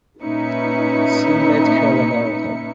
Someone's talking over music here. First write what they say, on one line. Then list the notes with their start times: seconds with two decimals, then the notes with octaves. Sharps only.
See Medical laboratory.
0.22 A#2 C#4 D#4 B4 E5 C#7